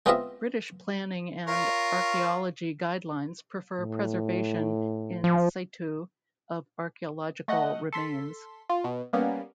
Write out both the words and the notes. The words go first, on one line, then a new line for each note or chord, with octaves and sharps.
British planning and archaeology guidelines prefer preservation "in situ" of archaeological remains.
G#3 B3 C4 F4 D#5 E5
F4 A#4 C#5
A2
F3
A3 D#5 F#5
A4 C6 B6
F4
B2
G3 A#3 B3 C#4